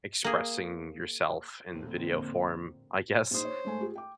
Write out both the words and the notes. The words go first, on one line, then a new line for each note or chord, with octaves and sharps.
expressing yourself in the video form, I guess?
A#3 G#4
A#1 F2 A2 D3 A#3 C4
A#1 D#4 C5 D#6
C#5
G#2 A3 G#5
F4 G4 G#4
G5 D6